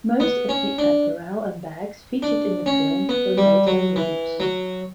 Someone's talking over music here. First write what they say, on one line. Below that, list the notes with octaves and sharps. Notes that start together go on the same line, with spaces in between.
Most of the apparel and bags featured in the film were made by Roots.
B3
C#4
D4
D4
C#4
B3
G3
F#3
E3
F#3